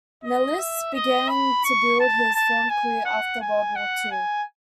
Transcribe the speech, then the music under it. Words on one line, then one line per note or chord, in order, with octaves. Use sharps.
Nalis began to build his film career after World War Two.
D#5
E5
D#5
B5
C#6
A5
A5
G#5
F#5
G#5
F#5
G#5